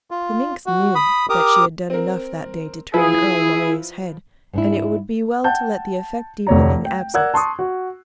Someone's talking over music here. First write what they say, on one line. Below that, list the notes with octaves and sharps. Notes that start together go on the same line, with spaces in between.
The minx knew that she had done enough that day to turn Earle Moray's head, and it would be well to let the effect deepen in absence.
F4
F#4
B5 D#6
G4 A#4 D6 D#6
C4 A#4
F3 E4 F4 G#4 B4
G#2 D4 E4
F#5 G5 A5 G6
F1 D2 C#5 D5 A#5
G5
A#4 D5 F#5 E6 F#6 G#6
A5 C6 C#6 D#6
F#4